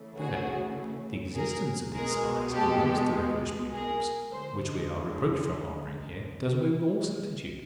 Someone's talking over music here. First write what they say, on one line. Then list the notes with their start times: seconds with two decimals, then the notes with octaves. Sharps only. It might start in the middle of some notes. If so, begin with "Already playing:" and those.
Thirdly, the existence of these spies amongst the revolutionary groups, which we are reproached for harbouring here, does away with all certitude.
Already playing: C#3 E3 A3
0.16 F#4 G#4
1.35 G#4 A#4
1.94 B2 G#3 G#4 A#4
2.53 G4 A4
3.72 G#4 A#4
4.31 D3 F3 G#3 A#4 C5